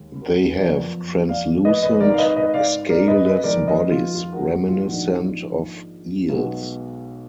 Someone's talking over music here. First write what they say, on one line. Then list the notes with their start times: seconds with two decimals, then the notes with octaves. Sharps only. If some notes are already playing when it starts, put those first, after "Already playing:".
They have translucent, scaleless bodies reminiscent of eels.
Already playing: D#2 D#3 G#3
0.22 F#4 A#4
0.49 B4
0.57 F#1 F2 F3 B3 A#4 D5
1.29 D5 F5
1.65 B4 D#5
1.82 B4 D#5
2.00 G#1 G#2 D#3 A#4 D5
2.14 F5
2.18 B4 D#5
2.36 B4 D#5
2.54 D5 F5
2.90 A#4 D5
3.08 B4 D#5
3.25 B4 D#5
3.43 F1 F2 D#3 G#3 A#4 D5
3.67 B4 D#5
3.91 F4
4.15 F4
4.33 F#4 A#4
4.51 F#4
4.68 F4
4.86 A#1 G#2 D#3 A#3 D4 F#4
5.22 F4
6.29 B1 B2 G#3 B3